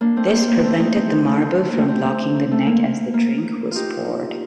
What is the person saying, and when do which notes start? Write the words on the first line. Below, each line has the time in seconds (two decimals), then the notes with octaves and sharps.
This prevented the marble from blocking the neck as the drink was poured.
0.01 A#3 D4
0.16 A3 C4
0.32 A#3
0.48 A#3
0.63 A3 C4
0.79 C4 D#4
0.95 C4 D#4
1.26 A3 C4
1.42 A3
1.57 A3
1.68 A#3
1.78 A3 C4
1.88 A3 C4
2.51 A3
2.67 A#3
3.14 A#3
3.71 D#4 F4 G4